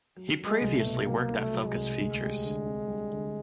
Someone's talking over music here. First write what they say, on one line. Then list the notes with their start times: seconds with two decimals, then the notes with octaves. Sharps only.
He previously worked at Focus Features.
0.17 F#3
0.39 F#3
0.46 G#3
0.61 C2
0.77 A3
0.85 B2
1.06 F#3 A#3
1.30 C2
1.38 A3
1.53 F#3
1.67 G#3
1.74 C2
1.98 D2
2.21 G3
2.44 D3
2.66 C4
2.88 G3
3.11 D3